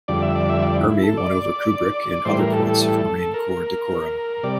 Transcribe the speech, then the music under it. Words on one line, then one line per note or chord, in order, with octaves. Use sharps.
Ermey won over Kubrick in other points of Marine Corps decorum.
F2 D3 G3 D5
E5
D5
E5
D5
E4
E4
A4
D5
A2 E3 G3 C5
A#4
A4
A4
A#4
C3 G3 D5